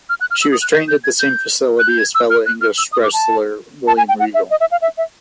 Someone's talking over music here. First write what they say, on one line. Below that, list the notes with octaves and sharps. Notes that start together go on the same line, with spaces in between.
She was trained at the same facility as fellow English wrestler William Regal.
F6
F#6
F6
E6
D#6
F#6
G6
G6
G#6
G6
F#6
G6
G#6
E6
F6
F#6
F6
E6
D#6
D6
A5
A5
G#5
G5
F#5
E5
D#5
E5
F5
E5
E5